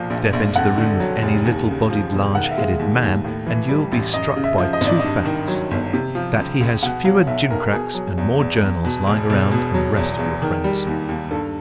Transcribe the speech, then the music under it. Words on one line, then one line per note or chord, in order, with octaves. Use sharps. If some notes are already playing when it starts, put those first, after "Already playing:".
Step into the room of any little-bodied large-headed man and you will be struck by two facts--that he has fewer jimcracks and more journals lying around than the rest of your friends.
Already playing: B1 A#2 F3
A#1
A#1
F2 F#5
D3
F#3
F1
D#2
C#3
F3
E1
D#3 F#5
F5
E5
G#3 F5
D#2
D#2
A2
E3
G3
A1
F#2 D#5
C#3
E5
F3
D#5
G#1
D5
G2 D#5
D#3
F#3
G1
C3
F3
C#2
C#2
B2 F#5
F#3 F5
B1 E5
B1 A#4
B2 G#4
F#3
E2
E2
E2
B2
E1
E1
B2
F#3
E2
E2
D#3
G3
D#2
D#2
G2 A4